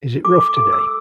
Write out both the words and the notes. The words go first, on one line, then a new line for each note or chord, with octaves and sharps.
Is it rough today?
A4 D6
D6
A4 D6
E6